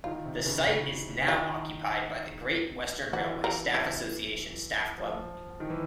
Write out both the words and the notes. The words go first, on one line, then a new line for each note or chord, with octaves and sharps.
The site is now occupied by the Great Western Railway Staff Association staff club.
D#3 F4
C3
C#3
C#3
D#3 F4
E3 F#4
A#4
E4
F3
D#3
E3